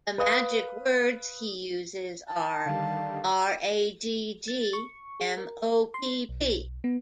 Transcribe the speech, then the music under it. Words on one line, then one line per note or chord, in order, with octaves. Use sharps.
The "magic words" he uses are "R-A-G-G M-O-P-P".
B4 F5 D#6
A5
D3 D#3 G3 F5
A6
C#6
G#4
A#4
C6
B1
B3